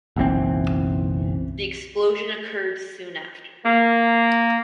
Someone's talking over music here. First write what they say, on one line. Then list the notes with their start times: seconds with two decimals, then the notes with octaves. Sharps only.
The explosion occurred soon after.
0.16 F#1 B1 E3 C4
3.65 A#3